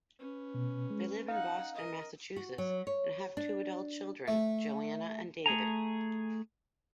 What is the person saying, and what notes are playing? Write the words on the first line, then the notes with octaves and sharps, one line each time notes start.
They live in Boston, Massachusetts, and have two adult children, Joanna and David.
C#4 B4
B2
G#3
D#4 F5 F#5
A#4 D#5
F#4
F#3
C#5
D4
A3
A3 G#4 G#5 A#5